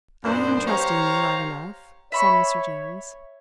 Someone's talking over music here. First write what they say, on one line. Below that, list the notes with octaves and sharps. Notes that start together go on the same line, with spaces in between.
"I am trusting you right enough," said Mr. Jones.
F#2 A#2 B3 D4 C5
G4 C5 C#5 F5 A#5
C#5 E5 B5 C#6